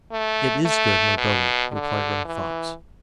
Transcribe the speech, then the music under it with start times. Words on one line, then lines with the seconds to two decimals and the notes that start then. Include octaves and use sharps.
"It is good, my brother," replied Running Fox.
0.12 A3
0.65 A3
1.18 B2
1.72 D3
2.25 E3